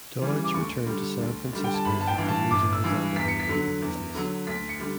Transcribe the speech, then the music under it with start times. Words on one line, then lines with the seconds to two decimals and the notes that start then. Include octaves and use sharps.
Dodge returned to San Francisco after losing his Idaho lumber business.
0.21 C#3 E3 G3
0.44 D6
0.54 D2 C#6
0.86 D3 G3
1.20 D2
1.53 D3 G3
1.64 G5
1.74 A5
1.85 G1 B5
2.01 A5
2.07 G5
2.18 G2 E3
2.29 A5
2.51 G1 D6
2.73 E6
2.84 G2 E3
3.16 E2 B6
3.28 C#7
3.40 B6
3.49 D3 F#3
3.82 E2
4.15 D3 F#3
4.47 D2 B6
4.69 C#7
4.80 D3 G3